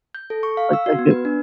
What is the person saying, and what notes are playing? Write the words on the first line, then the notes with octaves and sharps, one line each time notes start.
like, I can
G6
A4
C#6
F5
E6
F#4
B3
B4
D4